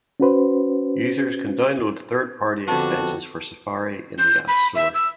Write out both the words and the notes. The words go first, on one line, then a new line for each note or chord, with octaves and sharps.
Users can download third party extensions for Safari in the App Store.
C#4 F#4 B4 C5
F2 D3 B3 F#4 G4 A5
G6
B5
E5
E6